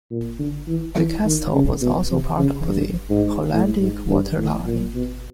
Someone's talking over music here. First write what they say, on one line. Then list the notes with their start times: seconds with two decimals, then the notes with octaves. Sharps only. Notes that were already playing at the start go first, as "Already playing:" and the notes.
The Castle was also part of the Hollandic Water Line.
0.11 A#2
0.39 D3
0.67 E3
0.96 E3
1.25 D#3
1.54 C#3
1.81 B2
2.11 C3
2.38 C#3
2.67 G2
3.10 G#2
3.53 A2
3.80 G#2
4.09 G2
4.38 A2
4.66 A#2
4.94 B2